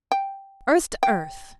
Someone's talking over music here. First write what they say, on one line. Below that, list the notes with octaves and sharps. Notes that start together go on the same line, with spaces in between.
Earth to earth!
G5
G5